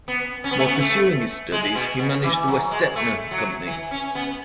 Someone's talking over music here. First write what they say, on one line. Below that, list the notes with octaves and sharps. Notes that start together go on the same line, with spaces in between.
While pursuing his studies, he managed the Westetner Company.
B3
C#4
B3
A3
B3
A3
G#3
B2
B2
E3
F#3
G#3
A3
F#3
E3
C#4
B3